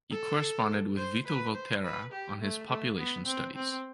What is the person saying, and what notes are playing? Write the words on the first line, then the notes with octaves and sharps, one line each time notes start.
He corresponded with Vito Volterra on his population studies.
A4
C5
B4
C5
B4
G4
A3
A3
B3
C4
C4